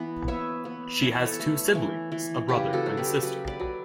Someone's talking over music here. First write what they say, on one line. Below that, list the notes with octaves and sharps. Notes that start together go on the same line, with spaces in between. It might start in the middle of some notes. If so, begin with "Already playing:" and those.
She has two siblings, a brother and a sister.
Already playing: E3 B3
B3 C#5 E5
B3
E3 C#5
B4
A4 C#5
A3
E3
E3
C#3 G4 B4
F#4 A4
F#3
G4 B4
F#3 G4 B4
B4 D5
F#3